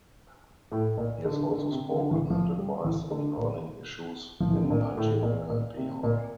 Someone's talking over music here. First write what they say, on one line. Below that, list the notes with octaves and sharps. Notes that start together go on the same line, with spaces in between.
He has also spoken and advised on burning issues in Nigeria and beyond.
A2
A#2
D3
D3
C3
D3
E3
F3
G3
E3
D3
A#2
F3
E3
D3
C3
A#2
A2
A#2
A#2
C3
A#2